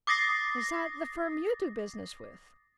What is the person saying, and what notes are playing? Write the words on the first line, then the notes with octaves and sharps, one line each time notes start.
"Is that the firm you do business with?"
D6 D#6 A6 A#6 C7